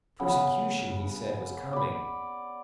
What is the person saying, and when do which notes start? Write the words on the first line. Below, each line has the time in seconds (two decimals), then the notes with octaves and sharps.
Persecution, he said, was coming.
0.20 C#3 B3
1.73 D5 B5